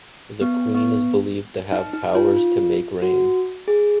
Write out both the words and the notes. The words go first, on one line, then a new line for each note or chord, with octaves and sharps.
The queen is believed to have powers to make rain.
B3
B3
D#4
D#4
F4
F4
F#4
G#4